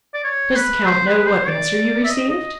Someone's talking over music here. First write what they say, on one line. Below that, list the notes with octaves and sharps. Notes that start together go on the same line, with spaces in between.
"Does the count know what answer you received?"
D5
C#5
B4
C5
B4
C5
D5
E5
D#5
D#5